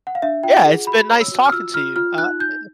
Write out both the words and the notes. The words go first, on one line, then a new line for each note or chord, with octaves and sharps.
Yeah, it's been nice talking to you. Uh, eh
F#5
F5
D4 E5
F4 G5
F#5
G#4
F#4 B5
C#5
E6
F#4
F6
F4 E6
F4 F6
F4 F6
D#4 F#6
D#4 G6